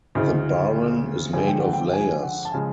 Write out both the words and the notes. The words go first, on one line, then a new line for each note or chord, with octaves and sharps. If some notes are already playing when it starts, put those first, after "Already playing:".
The baren is made of layers.
D2 C#3 E3 D#5
F2 D3 F3 G#3 G#5
G5
F#5
G5
G#5
F#5
A5
C#3 F3 G#3 G#5